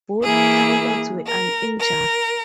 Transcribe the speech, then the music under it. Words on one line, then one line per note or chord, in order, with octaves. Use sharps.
Both pilots were uninjured.
E3 A#3 E4 G#4
A#4
A#4